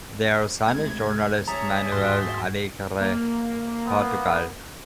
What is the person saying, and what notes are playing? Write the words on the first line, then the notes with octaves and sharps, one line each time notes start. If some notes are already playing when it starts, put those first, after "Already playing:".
Their son is journalist Manuel Alegre Portugal.
D2 C3 G#3 G#6
G3 C#4 G#4 C#5 E5 A5 A#5
D#2 G#2 F#4 C6
A#3
B3